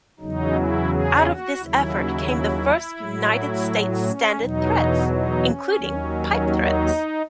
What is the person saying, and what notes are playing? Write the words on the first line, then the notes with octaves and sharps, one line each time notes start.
Out of this effort came the first United States Standard threads, including pipe threads.
E2 C#3 F#3 D#4
E4
G#4
F#4
D#2 C#3 F#3 E4
A2 F#3
C#4
E2 B2 F#3 D#4
D#4
C#4
D#2 D#3 F#3
D#4